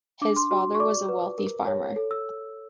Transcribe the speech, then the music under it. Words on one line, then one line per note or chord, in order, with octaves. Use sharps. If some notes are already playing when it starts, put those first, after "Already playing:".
His father was a wealthy farmer.
D4 D6
C6
F#4 C6
C#6
D5 D6
B4
A#4
C#5
A4
E6